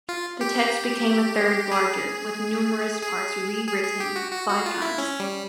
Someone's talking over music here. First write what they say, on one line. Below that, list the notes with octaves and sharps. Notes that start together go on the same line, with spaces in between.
The text became a third larger, with numerous parts rewritten five times.
F4
G4
G#4
G#4
G#4
G#4
G4
F#4
F#4
F#4
F4
E4
C#4
G3